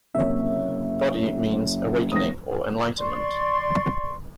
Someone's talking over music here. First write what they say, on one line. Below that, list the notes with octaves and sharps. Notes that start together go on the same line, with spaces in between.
"Bodhi" means "awakening" or "enlightenment".
F#1 C3 A#3 C#5 E5
F1 D#6 A#6
D5 C6 C#6